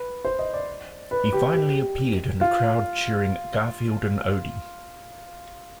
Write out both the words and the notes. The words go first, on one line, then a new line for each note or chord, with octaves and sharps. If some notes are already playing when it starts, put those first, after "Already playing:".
He finally appeared in a crowd cheering Garfield and Odie.
Already playing: B4
C5
D#5
D5
B4
G4
G4
F4